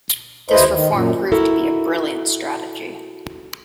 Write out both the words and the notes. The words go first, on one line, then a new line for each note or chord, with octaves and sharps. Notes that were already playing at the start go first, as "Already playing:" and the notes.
This reform proved to be a brilliant strategy.
D#2 E4 B4 C5 D#5
D#3
F#2 A#2
E4 F#4 A4 A#4